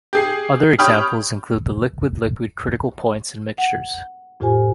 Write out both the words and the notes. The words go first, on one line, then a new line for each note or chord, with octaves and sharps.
Other examples include the liquid-liquid critical points in mixtures.
G4 G#4 C7
G4 C#5 G5 B5 D#6 F6
F#5
F2 A2 F4 G4 C5 G#5